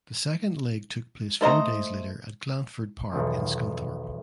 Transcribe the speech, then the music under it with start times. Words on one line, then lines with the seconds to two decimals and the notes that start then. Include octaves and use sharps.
The second leg took place four days later at Glanford Park in Scunthorpe.
1.41 A3 C5 D#5 A#5
3.12 B1 E2 D#3 F3